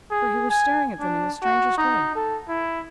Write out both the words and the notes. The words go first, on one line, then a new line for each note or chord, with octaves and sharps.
For, he was staring at them in the strangest way.
G#4
G#5
D4
F#4
D#4
A4
E4